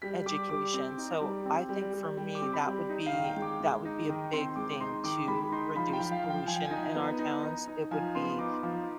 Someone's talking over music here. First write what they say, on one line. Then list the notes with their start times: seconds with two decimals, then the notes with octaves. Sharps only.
education, so I think for me, that would be that would be a big thing to reduce pollution in our towns, it would be
0.02 G3 B6
0.26 G3 D6
0.49 G3 D6
0.74 C4
0.98 D#4
1.21 G3
1.46 C4
1.69 G3
1.93 G3
2.17 G3
2.35 D6
2.42 C4
2.53 B5
2.65 G3
2.90 D#4
3.06 F5
3.13 D#3
3.24 G5
3.36 G#3
3.42 D6
3.60 G#3
3.85 D#4
4.09 D#3
4.33 C4 C6
4.56 G#3 D6
4.80 D#4 C6
5.04 D#3 D6
5.28 G#3 B5
5.52 D#4 C6
5.76 F3 B5
5.93 G5
6.00 F3
6.11 F5
6.24 F3
6.30 G5
6.47 F3 G#5
6.56 G5
6.65 G#5
6.71 D#4
6.95 B3
7.19 D#4
7.43 D#4
7.68 D#4
7.91 F3 G#5
8.15 B3 C6
8.39 D#4 D6
8.63 F3